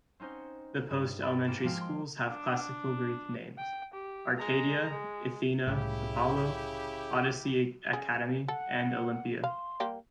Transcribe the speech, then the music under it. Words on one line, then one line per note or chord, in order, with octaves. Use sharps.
The post-elementary schools have Classical Greek names: Arcadia, Athena, Apollo, Odyssey Academy, and Olympia.
C4 C#4 D#4 C5 F#5
G2
G5 B5 A6
G#2 A#3 D6 C7 E7
F3 G#3 F5 G5 F6
C6
D4
G5
G4
G#3 A#5
G#3
C2 A2 C#3 A3 E4 G4
C#4 G#4
A4 F#5
F5 C6
G3 A#3 G4